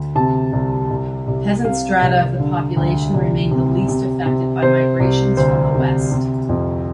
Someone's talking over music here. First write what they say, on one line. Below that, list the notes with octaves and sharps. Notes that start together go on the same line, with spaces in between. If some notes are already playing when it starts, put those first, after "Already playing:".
Peasant strata of the population remained the least affected by migrations from the west.
Already playing: D2
C3 A5
C2
C2
C2
C3 F5
C2
D3
D2
C2
C3
C3
C3
C3 C5
C2
D2 C5
C3
C3
F2